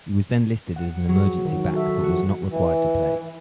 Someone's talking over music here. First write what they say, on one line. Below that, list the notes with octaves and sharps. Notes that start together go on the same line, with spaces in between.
He was then listed as an emergency back but was not required to play.
F#5
F#3
D#3 F#4
F#4 A4 E5
F3 F#4
E3